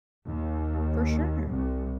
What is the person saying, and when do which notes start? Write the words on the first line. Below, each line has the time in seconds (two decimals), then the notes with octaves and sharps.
For sure.
0.24 D#2
1.48 C2